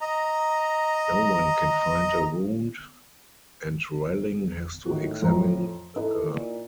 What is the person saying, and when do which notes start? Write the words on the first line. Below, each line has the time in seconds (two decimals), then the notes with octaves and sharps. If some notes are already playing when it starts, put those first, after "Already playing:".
No one can find a wound, and Relling has to examine the girl.
0.01 D#5 A#5
4.86 A2 D#3 F#4
5.22 F2 A#5
5.96 D#4 E4 A4 B4
6.30 A#2